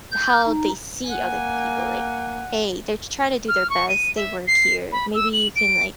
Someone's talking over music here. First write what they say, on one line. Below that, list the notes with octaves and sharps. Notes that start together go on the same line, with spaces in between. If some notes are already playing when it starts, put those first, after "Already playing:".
how they see other people, like, "Hey, they're trying to do their best, they work here, maybe you can, like,
G6
D#4
A#3 F#5 G#5
F6
C#6
D#7
E5
C7
B5
E6
F#7
D7